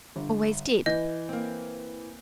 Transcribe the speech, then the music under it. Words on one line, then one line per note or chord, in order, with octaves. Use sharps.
Always did.
G1
E3 D#5 G6
A#3 C4